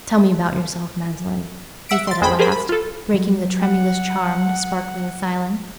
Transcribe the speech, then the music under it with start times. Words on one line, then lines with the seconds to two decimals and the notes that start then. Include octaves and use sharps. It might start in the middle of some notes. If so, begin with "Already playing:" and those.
"Tell me about yourself, Magdalen," he said at last, breaking the tremulous, charmed, sparkling silence.
1.89 E5 F#5 E6 B6 D7
2.07 C6 A6
2.21 F2 G#3 C5 G5 B5
2.39 G4 G#4 A#4 C5 B5
2.52 B5
2.69 F4 A4
3.14 F#3
3.63 F#5